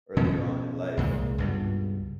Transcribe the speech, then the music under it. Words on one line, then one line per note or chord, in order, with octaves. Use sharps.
earlier on in life.
B2 F3 C#4
C2 A#2 G#3
C#2 G2 B2